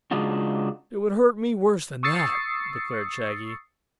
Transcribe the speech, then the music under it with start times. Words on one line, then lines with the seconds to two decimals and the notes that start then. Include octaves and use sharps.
"It would hurt me worse than that," declared Shaggy.
0.11 C#3 G#3 D4 D#4 F4 F#4
2.03 C#6 D#6 E6 A6 C7 C#7